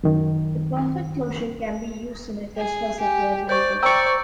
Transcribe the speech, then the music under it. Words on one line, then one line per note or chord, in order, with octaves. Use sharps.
The perfect closure can be used in a test for separability.
F#2 D#3
G#4
G4 G#5
C5 D5 C#6 G6
C5 D5 G5 A#5 C#6 E6